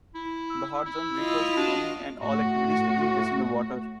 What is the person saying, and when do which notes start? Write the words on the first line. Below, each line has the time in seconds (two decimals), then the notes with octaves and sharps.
The Hot Zone refers to any and all activities taking place in the water.
0.15 E4
0.50 E6
0.86 E4
1.18 F4 D#5
1.57 D4 F#4
2.19 A2 F#4